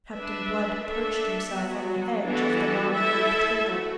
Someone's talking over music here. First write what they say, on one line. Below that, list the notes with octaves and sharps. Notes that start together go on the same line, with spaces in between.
Captain Blood perched himself on the edge of the long oak table.
D4 B4 E5
A3 D4 A4 E5
F#3 B3 F#4
E3 B3 D4 F#4 A4
A3 E4 A4 E5
A3 F#4